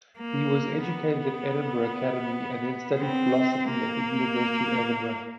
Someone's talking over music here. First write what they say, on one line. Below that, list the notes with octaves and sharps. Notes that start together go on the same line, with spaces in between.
He was educated at Edinburgh Academy then studied philosophy at the University of Edinburgh.
A#3
B3
C4
A#3